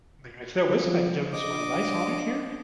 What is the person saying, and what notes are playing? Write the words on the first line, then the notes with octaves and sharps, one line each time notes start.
mean, if they'll listen, I can give them some advice on it here.
F3
D4 D#5 D6